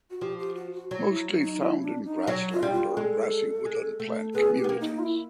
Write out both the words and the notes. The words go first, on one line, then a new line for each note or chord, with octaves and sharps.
Mostly found in grassland or grassy woodland plant communities.
F#4
F3 G4
G4
F#4
F#4
F#3 F#4
E4
D#4
E4
D4
D#4
F#3
F4
G3
F4
G#4
G#3 A4
G#3
A3
B3 G#4
G4
B3
A#3
D#4
F4
E4